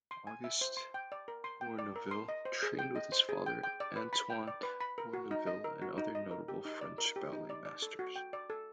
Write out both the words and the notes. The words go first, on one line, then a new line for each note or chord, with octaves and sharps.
August Bournonville trained with his father Antoine Bournonville and other notable French ballet masters.
C6
G#5
E5
C5
C6
G5
D5
A#4
C6
G5
D5
A#4
C6
D#5
C5
G#4
G5
D#5
C5
G#4
G5
G5
D5
B4
B5
G5
D5
B4
B5
A#4
F#4
D#4
D#5
A#4
F#4
D#4
D#5
A#4
G4
D#4
D5
A#4
G4
D#4
D5
D5
A4
F#4
G5
D5
A4